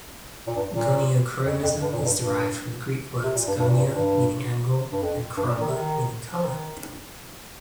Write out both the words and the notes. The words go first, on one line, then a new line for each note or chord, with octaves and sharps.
"Goniochromism" is derived from the Greek words "gonia", meaning "angle", and "chroma", meaning "colour".
A#2
G2
A#2
F2
F2
G2
A#2
F2
G2
G2
C3
A#2
G2
G2
A#2
G2
A#2
G2
G2
F2
G2
A#2
D#3
C3
D#3
F3
D#3